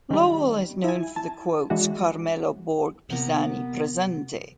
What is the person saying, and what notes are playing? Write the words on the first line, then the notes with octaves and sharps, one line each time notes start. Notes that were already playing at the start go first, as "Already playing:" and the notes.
Lowell is known for the quotes Carmelo Borg Pisani, presente!
D#3 G3
E4 G#5
A5
E3 G#3 D4 E4 F#4
C3 A#3 B3